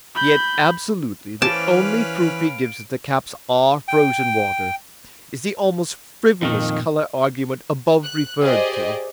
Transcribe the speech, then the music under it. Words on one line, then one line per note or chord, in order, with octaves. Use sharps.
Yet absolutely the only proof he gives that the caps are frozen water is the almost frivolous colour-argument above referred to!
B5 G6
E3 C#4 B4 C5 F5 A5 D6 D7
G5
F2 A#2 D#3
F#6
G4 G#4 C5 D5 D#5